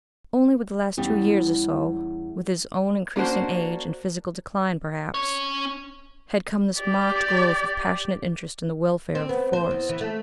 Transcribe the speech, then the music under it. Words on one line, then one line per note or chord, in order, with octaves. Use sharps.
Only with the last two years or so--with his own increasing age, and physical decline perhaps--had come this marked growth of passionate interest in the welfare of the Forest.
E2 G3 C#4
A#3 C#4 D4 F#4 C5
C#4 C#5
G4 D5
C4
B3
C5
E2
E3
A3